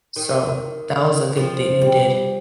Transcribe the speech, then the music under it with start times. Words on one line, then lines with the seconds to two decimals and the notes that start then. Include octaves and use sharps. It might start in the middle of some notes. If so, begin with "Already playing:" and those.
So that was a good thing you did.
0.16 D#3
1.37 F3
1.82 G3